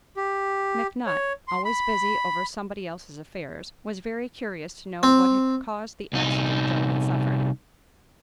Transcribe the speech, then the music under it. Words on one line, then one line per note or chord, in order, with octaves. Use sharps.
McNutt, always busy over somebody else's affairs, was very curious to know what had caused the accident Joe had suffered.
G4
C#5
C6
B5
C4
C2 D#4